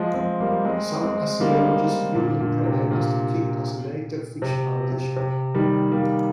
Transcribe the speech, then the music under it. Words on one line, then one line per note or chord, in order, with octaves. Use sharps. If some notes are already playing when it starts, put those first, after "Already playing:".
Some Assyriologists view the predynastic kings as a later fictional addition.
Already playing: F3 G#3
G#3 C4
G3 A#3
G#3 C4
G#3 C4
G3 A#3
A#2 D3
A#2 D3
C3
A#2
C3
C3
C3
D#3 G3
G3 A#3